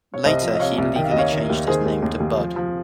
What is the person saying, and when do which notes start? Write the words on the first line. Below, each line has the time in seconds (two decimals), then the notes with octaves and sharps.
Later, he legally changed his name to Bud.
0.14 C#5
0.24 C2 C5 D#5
0.42 F3
0.54 D#5
0.60 C3 C#5 F5
0.78 C2
0.96 D#3 G5
1.04 F5
1.11 D#2 D#5
1.19 C#5 F5
1.31 D#3
1.49 D#2
1.67 D#3 G#4 C5
1.85 D#2
2.02 D#2
2.20 D#2
2.37 F3
2.56 F3